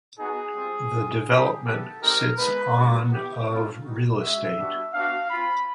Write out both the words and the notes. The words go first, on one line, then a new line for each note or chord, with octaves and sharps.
The development sits on of real estate.
B3 D#4 F#4 G#4
G3 C4 F4
C4 F4
A#3 D4 G4 G#4
B3 E4 G4 A4
G3 C4 D#4 G4 A#4
G#3 B3 D#4 B4
G#3 B3 D4 F#4
B3 E4 G4
A3 C4 F4
G3 B3 D#4 F#4
G#3 C#4 F#4 E5
G3 B3 D4 F#4
B3 D4 F#4 F5
C4 F4 B5